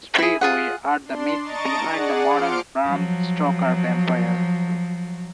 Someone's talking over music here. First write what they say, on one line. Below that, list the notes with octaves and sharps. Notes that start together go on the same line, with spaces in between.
Strigoi are the myth behind the modern Bram Stoker vampire.
E4 G#4
F4 G#4 F#5
D4 C6
D#5 A5 A#5 C#6 A6 D7
G#4 D5 F#5
F3 C6 D6 F6 C#7 D7
F3 F#3